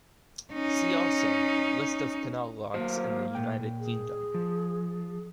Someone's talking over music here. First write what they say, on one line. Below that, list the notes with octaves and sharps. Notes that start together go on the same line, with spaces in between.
"See also" List of canal locks in the United Kingdom.
C#4 D#4
F#3 A#3 F#4 C5
A#2 G5
G#4
F3